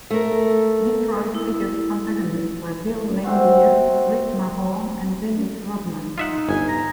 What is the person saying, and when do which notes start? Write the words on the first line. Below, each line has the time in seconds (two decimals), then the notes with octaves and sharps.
Detroit's biggest antagonists were Bill Laimbeer, Rick Mahorn and Dennis Rodman.
0.11 A3 A#4
1.35 E4
3.23 C3 C4 F#4
6.18 D#4 F4 E5 F#5
6.49 G1 G#5
6.68 A#5